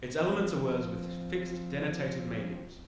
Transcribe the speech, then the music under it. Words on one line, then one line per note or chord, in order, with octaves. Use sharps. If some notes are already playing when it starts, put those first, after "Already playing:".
Its elements are words with fixed denotative meanings.
F3 C4